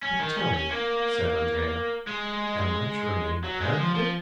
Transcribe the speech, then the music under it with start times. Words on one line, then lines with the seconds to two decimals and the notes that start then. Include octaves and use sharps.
"But, tell me," said Andrea, "am I to remain bareheaded?"
0.03 C#4
0.20 D#3
0.37 C#4
0.54 C#4
0.71 A#3
2.07 G#3
3.44 F#3
3.61 G#3
3.78 F3
3.95 F3